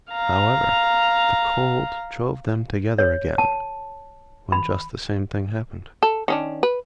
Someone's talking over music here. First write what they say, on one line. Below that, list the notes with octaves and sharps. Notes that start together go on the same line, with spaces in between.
However the cold drove them together again, when just the same thing happened.
F5 A#5
C#5
A5
B5
A4
D#3 C#4 D4
B4